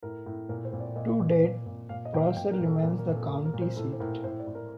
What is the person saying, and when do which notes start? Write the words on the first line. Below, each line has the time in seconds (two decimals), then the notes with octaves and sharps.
To date, Prosser remains the county seat.
0.03 A2 A#4
0.26 A2
0.49 A#2 A#4
0.65 C5
0.73 A#2
0.80 D5
0.96 A#2 D#5
1.19 A#2
1.43 A#2
1.66 A#2
1.89 A#2 F5
2.05 D#5
2.13 A#2 G5
2.21 F5
2.36 A#2 G5
2.51 A#4
2.60 A#2
2.67 A4
2.83 A#2 A#4
2.99 A#4
3.07 A#2
3.15 A4
3.30 A#2 A#4
3.45 A#4
3.54 A#2
3.61 C5
3.76 A2 A4
3.92 C5
4.00 A2 A#4
4.24 A2 C5
4.39 D5
4.47 A2
4.55 A#4